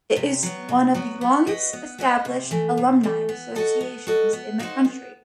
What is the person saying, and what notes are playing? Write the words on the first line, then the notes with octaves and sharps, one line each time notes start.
It is one of the longest established alumni associations in the country.
C3
F#3 B3
C3
F#3 B3
B3
F#4 B4 D#5
B3
F#4 B4 D#5
C3
E3 A3
C3
E3 A3
B3
F#4 A4 D#5
B3
F#4 A4 D#5
B3
D#4 F#4 C5
B3